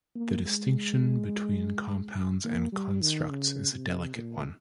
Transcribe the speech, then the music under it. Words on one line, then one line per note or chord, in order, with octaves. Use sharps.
The distinction between compounds and constructs is a delicate one.
A#3
G#3
A#3
G3
D#3
C#3
C3
A#2